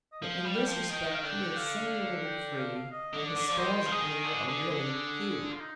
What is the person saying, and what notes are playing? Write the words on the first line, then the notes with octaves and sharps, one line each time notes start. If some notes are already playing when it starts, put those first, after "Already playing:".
But in this respect he is singularly free, and his spells of anger are really few.
D#5
F3 F5
G3
G5
F3
D#3 G5
F5
D3 G5
G5
F5
G5
F5
D#5
D3
D5
D3
F3 D5
D#3 C5
F3
D#3 G#4
D3
D3
D3
G#4
G#4
F4
D#4